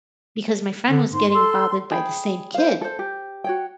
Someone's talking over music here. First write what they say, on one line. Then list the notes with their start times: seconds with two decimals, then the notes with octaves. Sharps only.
because my friend was getting bothered by the same kid.
0.90 D3
1.12 G#2 C6
1.35 A4
1.91 G#4 G5 B5
2.54 C5 F5
2.81 A4 C5
2.99 G4
3.44 F#4 C#5 G5